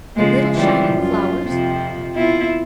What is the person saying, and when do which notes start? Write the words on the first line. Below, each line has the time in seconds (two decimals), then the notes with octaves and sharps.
"And little shining flowers?"
0.16 C#3 F3 G#3
0.53 E3 F3 G3
0.94 F#2 F4
1.48 F2 C3 F3
2.15 B3 E4 F4